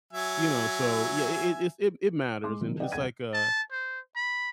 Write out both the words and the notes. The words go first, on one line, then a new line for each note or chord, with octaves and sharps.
you know, so yeah, it it it's it it matters, and it's like, uh,
F#3 E5 G#5
G#3 C6 D6
C3 D#3 F3 F#3
B4 D5 D#5 F#5 G5
D#1 C2 G#4 F#5 G#6 D#7
A5
C5
B5